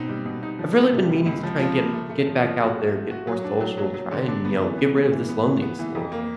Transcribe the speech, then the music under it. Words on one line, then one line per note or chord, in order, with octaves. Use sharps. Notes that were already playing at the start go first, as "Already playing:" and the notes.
I've really been meaning to try and get get back out there, get more social, try and, you know, get rid of this loneliness a little bit.
Already playing: B2 C4 D#4
G3
B2
D#4
F3
A#3
C3
C#2
C#2
F3
F3
A#3
A3
A3
F3
F3
F#4
A3
A3
F#4
F#3
D4
F#3
F#3
F#3
D3
D4
B3
E3
B3
G#3
E3
B3
E3
B3
E3
F2
A#3